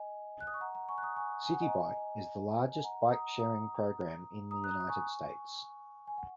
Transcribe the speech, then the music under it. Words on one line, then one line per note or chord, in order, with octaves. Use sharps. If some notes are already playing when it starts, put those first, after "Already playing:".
Citi Bike is the largest bike sharing program in the United States.
Already playing: D#5 G#5
F#6
D#6
C#6
F#5 A#5
F#5 A#5
G#5 C#6
F#6
A#5 D#6
G#5 C#6
G#5
F#5
D#5 G#5
A#5
D#5 G#5
G#5
F#5 A#5
A#5 D#6
A#5 D#6
A#5 D#6
F#6
A#5 D#6
D#6
G#5 C#6
G#5
F#5